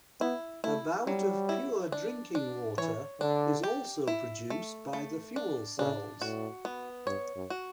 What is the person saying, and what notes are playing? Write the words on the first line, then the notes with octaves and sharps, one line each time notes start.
About of pure drinking water is also produced by the fuel cells.
B3 E4
A3 E4
F#3 G3
E4
D4
D4
E3 C#5
D3 D4
G4
E4
A3
A3
D4
C#3 D4
A2 F#4
B3
G2 C#5
F#2
F#4